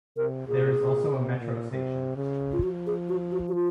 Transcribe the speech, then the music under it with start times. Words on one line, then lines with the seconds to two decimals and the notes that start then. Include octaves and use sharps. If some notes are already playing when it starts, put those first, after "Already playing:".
There is also a metro station.
0.17 C3 A#4
0.48 A#2 G#4
0.79 A#2
1.10 C3
1.40 A#2
1.71 C3
2.17 C#3
2.53 F4
2.63 F3 F#4
2.87 G#4
3.09 F#4
3.32 F#4
3.48 F#4
3.55 F4